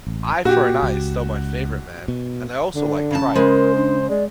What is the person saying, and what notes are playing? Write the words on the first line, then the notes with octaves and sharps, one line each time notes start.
Eye For an Eye is still my favourite, man, and I also like Tribe.
A1
A#2 F#4 G4
C#2
B2
D3
C#3 A5
C#3 G#3 A#4 C5
D4
G#3 D5